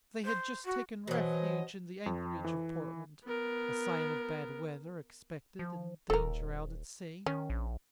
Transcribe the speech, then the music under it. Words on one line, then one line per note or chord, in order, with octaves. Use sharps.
They had just taken refuge in the anchorage of Portland--a sign of bad weather expected and danger out at sea.
C5
F#4
B2 E3 F#3 C5 D#5
F2
E3
B3 A#4
F3
D#1 A4 A#4
D#3 C#4
A#1